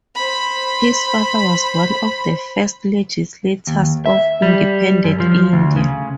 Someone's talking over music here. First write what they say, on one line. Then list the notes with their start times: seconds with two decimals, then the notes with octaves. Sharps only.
His father was one of the first legislators of independent India.
0.15 C5 B5
3.67 D#2
4.06 E5
4.42 G3
5.04 F#2
5.20 F3
5.53 D2
5.76 C#3